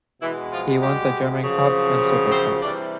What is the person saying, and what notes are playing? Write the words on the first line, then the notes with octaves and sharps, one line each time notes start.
He won the German Cup and Super Cup.
B2 E3 G#3 E4
F3 F4
G3 G4
F#2 C#3 F3
G3 G4
C4 C5
C3 E3 G3 D4 D5